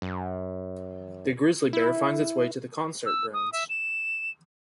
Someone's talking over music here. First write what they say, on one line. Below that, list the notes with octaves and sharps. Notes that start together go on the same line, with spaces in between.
The grizzly bear finds its way to the concert grounds.
F#2
E4
E6
D#6
E5
E7